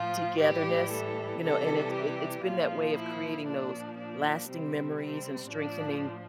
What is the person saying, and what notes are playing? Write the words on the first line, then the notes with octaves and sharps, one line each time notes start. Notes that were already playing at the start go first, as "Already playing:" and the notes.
togetherness, you know, and it it it's been that way of creating those lasting memories and strengthening,
Already playing: A2 F3 F4
A2 E3 G3 G4
A4
C3 E3 G3 A4
G4
A#2 F3 F4
E4
A#2 F3 D4
D4
C3 G3 C4
C4
A2 F3 D4